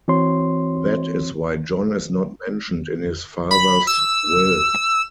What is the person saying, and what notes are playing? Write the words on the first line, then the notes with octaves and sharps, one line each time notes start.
That is why John is not mentioned in his father's will.
E3 C4 F#4 C#5 C6
B5
E6